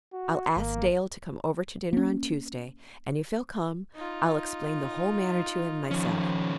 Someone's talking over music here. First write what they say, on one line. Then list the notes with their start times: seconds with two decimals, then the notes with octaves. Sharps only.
I'll ask Dale to come over to dinner on Tuesday; and if he'll come, I'll explain the whole matter to him myself.
0.13 F#4
0.56 G#1 A#3
1.93 A#3 C#4
3.95 D#4 F4
5.91 D#3 F3 C#4